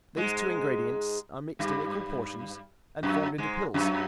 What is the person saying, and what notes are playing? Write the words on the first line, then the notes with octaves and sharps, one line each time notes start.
These two ingredients are mixed in equal proportions, and formed into pills.
G#2 G#3
G2 G3
F#2 F#3
G#2 G#3
F#2 F#3